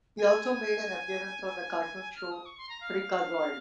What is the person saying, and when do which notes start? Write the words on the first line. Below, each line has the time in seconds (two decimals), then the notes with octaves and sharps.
He also made an appearance on the cartoon show Freakazoid!
0.18 G#5
2.15 F6
2.31 D#6
2.46 C#6
2.58 C6
2.69 A#5
2.81 F5